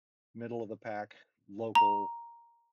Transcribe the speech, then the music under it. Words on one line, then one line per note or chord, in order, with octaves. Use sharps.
middle of the pack, local,
A#5